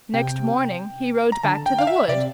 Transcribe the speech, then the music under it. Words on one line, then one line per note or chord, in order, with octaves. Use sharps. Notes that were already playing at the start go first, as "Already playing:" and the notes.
Next morning he rode back to the wood.
C3 G5
A#5
D3 A5
G5
F5
E5
C3 D5